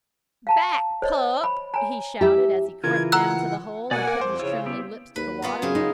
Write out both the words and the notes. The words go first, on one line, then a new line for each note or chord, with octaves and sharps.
"Back, pup!" he shouted, as he crept down to the hole and put his trembling lips to the water.
F5 A5 A#5
C5 C#5 D#5
B5
C#5 G#5 A#5
E4 G4 E5
C#3 E3 E4 F4 A#4 G#6
F#5 A#5 E6 F#6
B2 A#3 D5 F#5 G#5
A#4 D6
F2 C5
C#3 E4 F4 C#5
B3 E4 G4
D#2 B4
B3 F4 A#4
F#2 C#3 G#4
G#3 D#4